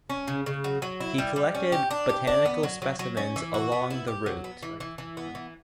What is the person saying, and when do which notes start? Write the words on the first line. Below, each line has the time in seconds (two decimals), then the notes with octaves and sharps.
He collected botanical specimens along the route.
0.09 C#4
0.28 C#3
0.46 C#3
0.64 F#3
0.82 F#3
1.00 E4
1.18 G3
1.36 G3
1.55 C#4
1.72 G4
1.91 D4
2.09 G4
2.27 D4
2.45 B3
2.63 F#3
2.82 F#3
2.99 F#3
3.17 C#4
3.36 E3
3.54 F#4
3.72 B3
3.90 E4
4.07 G4
4.26 F#3
4.44 B3
4.62 E3
4.80 E3
4.98 E3
5.17 B3
5.35 E3